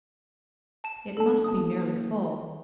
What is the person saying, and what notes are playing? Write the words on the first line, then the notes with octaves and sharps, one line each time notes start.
It must be nearly full.
A5 E7
G1 A4 A5
F#1 A5 D#6